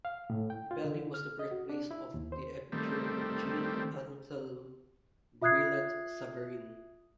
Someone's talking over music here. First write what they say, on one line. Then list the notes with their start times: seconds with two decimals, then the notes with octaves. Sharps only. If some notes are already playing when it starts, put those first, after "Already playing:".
Belley was the birthplace of the epicure Jean-Anthelme Brillat-Savarin.
0.05 F5
0.30 A2
0.50 G5
0.71 F4
0.84 D3
1.14 F6
1.39 D#5
1.51 F#4
1.69 D4
1.91 E4
2.14 D#2
2.32 C5
2.72 D#3 G3 A3 C4
5.42 F4 E5 D#6 F#6 G#6 C7